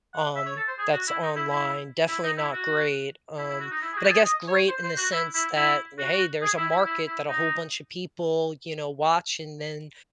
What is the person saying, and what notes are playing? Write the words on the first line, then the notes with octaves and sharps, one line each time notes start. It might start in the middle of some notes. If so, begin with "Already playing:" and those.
um, that's online. Definitely not great. Um, but I guess great in the sense that, hey, there's a market that a whole bunch of people, you know, watch and then,
F#5
E5
C#5
A4
C5
G#4
F#4
E4
D#4
E4
E4
E4
D#4
E4
F#4
E4
E4
F#4
D#4
E4
G#4
F#4
A4
G#4
D#5
C#5
C5
C5
F#4
E4
E4
E4
F#4
F#4
G#4
E4
E4
E4
E4
D#4